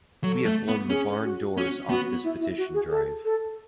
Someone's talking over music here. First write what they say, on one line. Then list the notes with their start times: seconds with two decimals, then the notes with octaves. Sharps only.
We have blown the barn doors off this petition drive.
0.24 F#3 A4
0.46 A3
0.68 B3
0.90 C#4 G#4
1.24 F#4
1.57 C#4 F#4
1.90 B3 F#4
2.24 E4
2.40 E4
2.58 F#4
2.74 G#4
2.90 A4
3.24 A4